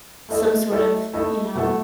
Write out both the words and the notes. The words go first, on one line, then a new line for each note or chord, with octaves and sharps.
some sort of, you know
A3 E4 A4 D#5
A3 E4 A4 D#5
A3 E4 A4 D#5
B2 A3 E4 A4